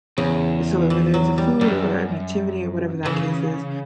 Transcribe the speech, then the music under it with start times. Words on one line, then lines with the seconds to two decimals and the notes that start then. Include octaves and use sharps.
So, wh whether it's a food or an activity or whatever that case is,
0.18 E2 C#3
0.90 E3
1.14 F#3
1.38 G3
1.61 F#2 G3
3.05 C#3 E3